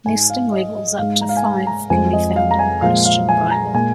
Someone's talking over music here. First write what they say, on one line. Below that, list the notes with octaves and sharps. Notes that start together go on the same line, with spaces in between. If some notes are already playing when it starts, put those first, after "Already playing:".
Nesting levels up to five can be found in the Christian Bible.
G#2 G#3 G#5
F5
D#5
D#5
G#2 G#3 F5
A#5
F5
G#5
A#5
A#5
F2 F3 G#3 G#5
D#5
F5
A#5
G#5
A#2 F3 G#3 F5
F5
G#5
A#5
A#2 G#3 G#5